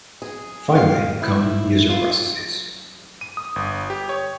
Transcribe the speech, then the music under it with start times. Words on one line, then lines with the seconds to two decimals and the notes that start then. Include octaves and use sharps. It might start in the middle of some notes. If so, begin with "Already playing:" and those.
Finally come user processes.
0.22 G#4
0.75 F5
1.22 E4
1.90 F4
3.21 D#7
3.37 D#6
3.56 G1
3.90 G4
4.09 C#5